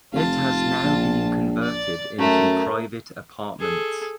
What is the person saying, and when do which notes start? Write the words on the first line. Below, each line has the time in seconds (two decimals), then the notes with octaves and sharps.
It has now been converted into private apartments.
0.13 F1 F4 A5
0.84 A#1
1.62 D5
2.19 F#2 A3 A#4
3.59 G#4 A4